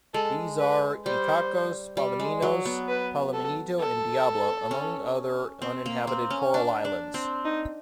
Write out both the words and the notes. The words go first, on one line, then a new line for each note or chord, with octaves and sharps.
These are Icacos, Palominos, Palominito, and Diablo, among other uninhabited coral islands.
G#3 A4
B4
G3 C5
G3
G#3
F#3
B3
B4
A4
A4
C#4
C4
A#3
C4
C#4
D4
D4
C4
D#4